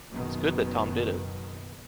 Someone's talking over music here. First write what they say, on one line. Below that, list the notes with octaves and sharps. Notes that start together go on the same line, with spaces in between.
It’s good that Tom did it.
F#1 F#2 B2 D#3 B3